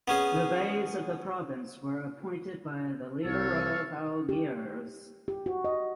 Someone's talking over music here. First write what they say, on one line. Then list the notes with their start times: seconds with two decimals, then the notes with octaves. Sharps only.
The Beys of the province were appointed by the leader of Algiers.
0.08 B3 C#4 G#4
3.24 C2 A4 C#5 F5
4.29 G4
5.28 G4
5.46 F#4
5.65 D#5